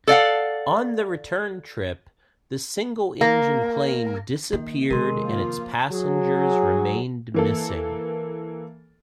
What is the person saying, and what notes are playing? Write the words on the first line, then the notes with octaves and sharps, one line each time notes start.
On the return trip, the single-engine plane disappeared and its passengers remained missing.
A4 D5 F5 F#5
A#3
D#3 A#3
C3 D#3 G#3 A#4 C6
F3 A#3 F4
F#3 G#4
E3 A#3 A4